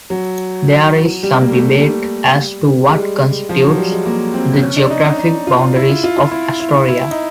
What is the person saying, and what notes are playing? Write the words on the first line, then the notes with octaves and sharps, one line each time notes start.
There is some debate as to what constitutes the geographic boundaries of Astoria.
F#3
G3
A#3
A3
G3
G#3
G3
F3
F#3
G3
G#3
A#3
C4
C#4
D4
D#4
D#4
D#4
F4
E4
F4
F4
F4
E4
E4
E4
D#4